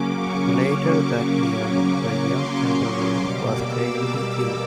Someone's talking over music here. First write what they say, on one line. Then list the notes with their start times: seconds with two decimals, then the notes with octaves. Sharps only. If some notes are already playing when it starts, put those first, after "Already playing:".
Later that year, the young emperor was gravely ill.
Already playing: C#3 F#3 A#3 C#4 D6
0.19 C#6
0.62 C#6
2.32 C6
3.17 B2 G3 A#3 D6
3.59 E6
4.02 E6